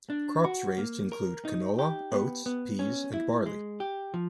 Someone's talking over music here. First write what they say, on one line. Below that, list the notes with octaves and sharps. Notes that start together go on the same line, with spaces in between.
Crops raised include canola, oats, peas and barley.
D4
F#4
A#3
A#4
D#4
G4
B3
B3
C#4
E4
G#3
G4
F3